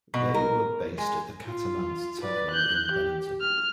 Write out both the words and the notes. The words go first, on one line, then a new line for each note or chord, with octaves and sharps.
They were based at the Catamount Tavern in Bennington.
B2
A#4
G#3
F4
B4 D5
F#6 G6
G4
F6